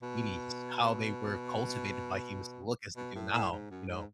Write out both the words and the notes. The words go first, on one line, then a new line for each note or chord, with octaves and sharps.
and zucchinis, how they were cultivated by humans to look as they do now, you know?
B2
B2
A2
A2
G#2
F#2
G#2